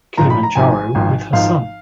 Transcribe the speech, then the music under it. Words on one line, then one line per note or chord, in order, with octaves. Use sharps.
Kilimanjaro with her son.
G#1 G#2 F3 A#5
B5
A#5
G#1 G#2 F3 G#5
G#1 G#2 F3
G#1 G#2 F3 F5